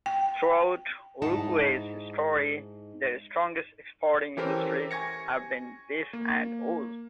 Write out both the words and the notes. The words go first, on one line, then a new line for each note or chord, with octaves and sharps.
Throughout Uruguay's history, their strongest exporting industries have been beef and wool.
G5
G#2 D#4 E4 F#5 A5
E3 C#4 G4 A4 A#4 C5
G#5 C#6 G#6 A#6 C#7
A#3